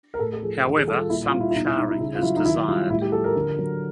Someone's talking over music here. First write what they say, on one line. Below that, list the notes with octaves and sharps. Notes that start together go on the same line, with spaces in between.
However, some charring is desired.
A#4
A2 A4
A4
F3 G#4
D#3 A4
G#4
G3 A4
F4
A#2 E4
F4
G3
E4
E4
B2 D#4
E4
G3 D#4
E4
C#3 E4
F4
F#3 E4
D#4
D#3 E4
G3 F4
A2 E4
G4
F3 A4
A#4
D3
F#3